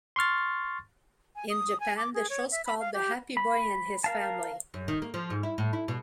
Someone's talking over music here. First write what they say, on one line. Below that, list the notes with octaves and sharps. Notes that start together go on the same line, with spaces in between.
In Japan the show's called 'The Happy Boy and His Family.
C6 C#6 F6 A6
G#5
D#6
G#5
D6
G#4
C#5
E5
B5
F5
G4
B5
A#4 F5 A5
F#2
D#3
A#3
F3
G#2
E4
A2
E4
B2